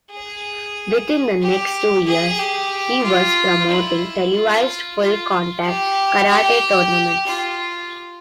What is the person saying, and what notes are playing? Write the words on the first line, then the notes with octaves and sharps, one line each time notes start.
Within the next two years, he was promoting televised full-contact karate tournaments.
G#4
G4
G#4
G4
F4
E4
F4
F4
G4
G4
F4